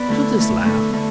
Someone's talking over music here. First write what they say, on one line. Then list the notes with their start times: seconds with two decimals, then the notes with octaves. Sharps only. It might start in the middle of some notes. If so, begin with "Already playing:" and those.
She'll just laugh.
Already playing: B3 B4 D5
0.08 D3 A3 E4
0.37 D3 A3 E4
0.65 D3 A3 E4
0.93 D3 A3 E4